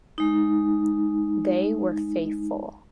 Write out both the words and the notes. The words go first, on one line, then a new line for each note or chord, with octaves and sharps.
They were faithful.
G#3 D#4